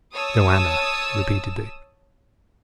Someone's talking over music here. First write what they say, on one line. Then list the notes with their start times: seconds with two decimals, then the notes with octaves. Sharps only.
"Joanna!" repeated Dick.
0.15 C#5 A5 D#6 E6